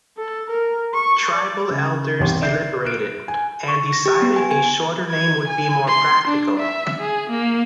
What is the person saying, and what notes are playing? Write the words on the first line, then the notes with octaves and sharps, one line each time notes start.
Tribal elders deliberated, and decided a shorter name would be more practical.
A4
A#4
C#6
D5
C#3
E1 C2 G4 C#5 C6
D5 E5 G6 C7
F6 F#6 D7
G#5
C#6
A#6
G4
B3
G#5
G#5
G#6
G#5
C6
D4
E5
G#4
A#3